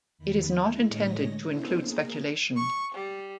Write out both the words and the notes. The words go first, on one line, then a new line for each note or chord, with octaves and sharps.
It is not intended to include speculation.
E2 D#3 B5
G#3 E4
A2 D3 G#3 C#5 D#5 A#6
B3 C#4 D4 E4 A4 C5
A#3 G#4 A#4
C#6
G3